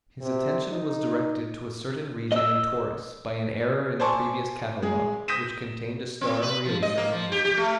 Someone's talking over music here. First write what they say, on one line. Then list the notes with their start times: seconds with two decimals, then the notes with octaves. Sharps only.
His attention was directed to a certain region in Taurus by an error in a previous catalogue, which contained a star really non-existent.
0.22 C3
0.72 D#4
2.32 D#5 E6
4.00 C5 D5 G#5 A5 C6 C#6
4.82 G#3 G#4
5.28 D#6 G6 A#6 B6 D#7 E7
6.21 C4
6.42 B4
6.65 F3
6.83 D#5
6.98 A#3
7.12 F3
7.32 G4
7.45 G4
7.57 A3